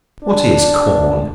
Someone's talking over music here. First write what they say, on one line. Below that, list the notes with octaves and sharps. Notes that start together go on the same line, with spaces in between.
What is Corn?
D4